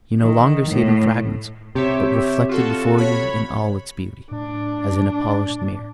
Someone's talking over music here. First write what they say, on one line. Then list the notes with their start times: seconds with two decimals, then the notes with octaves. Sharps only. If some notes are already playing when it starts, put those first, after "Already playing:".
You no longer see it in fragments, but reflected before you in all its beauty, as in a polished mirror.
0.20 D#3
0.70 A2
1.75 C3 G4 C#5 E5
2.49 F4 F#4 A4
2.98 C#5 B5
4.31 A2 D4